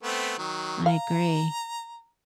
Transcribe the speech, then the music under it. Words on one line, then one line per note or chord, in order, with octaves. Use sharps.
I agree.
A3 B3 C4
D#3 F#3
F5 A#5